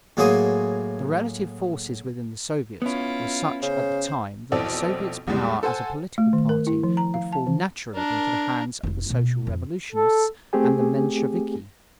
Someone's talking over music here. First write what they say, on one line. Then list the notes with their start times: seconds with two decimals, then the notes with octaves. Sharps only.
The relative forces within the Soviets were such at the time that the Soviet's power as a political party would fall naturally into the hands of the Social-Revolutionists and the Mensheviki.
0.17 A2 F#3 A#3 G#4 C5 D#6
2.82 B3 C#4 E4 F4
3.62 C#3 C5
4.52 B1 F2 E3 C4 A4 D5
5.28 E2 E3 G3 G#3
5.63 A4 C5 F#5 G#5
6.18 A3
6.33 D#3
6.49 A#4
6.67 E4
6.83 F3
6.97 A#5
7.14 F5
7.33 A5
7.47 E3
7.95 D4 A#4
8.83 F1 E4
9.09 B2 A#3
9.47 F2
9.93 A4
10.53 A3 C4 G4 G#4 G#5